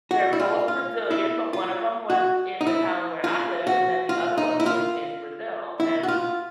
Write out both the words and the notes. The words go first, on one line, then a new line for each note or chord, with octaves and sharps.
they're both Brazilian, but one of them was in the town where I live, and then the other one was in Brazil, and
F#4
E4
F4
F4
E4
F4
F#4
D#4
E4
F4
F#4
F4
D#4
E4
F4
E4
F#4
F4